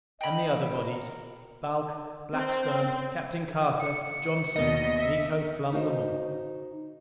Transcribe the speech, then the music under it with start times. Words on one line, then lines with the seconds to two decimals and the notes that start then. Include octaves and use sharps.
And the other bodies, Balch, Blackstone, Captain Carter, Johnson--Miko flung them all.
0.21 D#5 G5 B5
0.75 A#4
2.34 C4
3.80 C#7
4.56 D#2 B2 D5 D#5
4.95 E5
5.72 D#4 F#4 C5 D#5